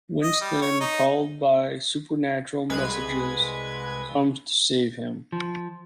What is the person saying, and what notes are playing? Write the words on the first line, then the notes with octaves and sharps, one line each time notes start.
Winston, called by supernatural messages, comes to save him.
D#5
G3
C#5
D#4
C2 G#3 B4 G#6
F3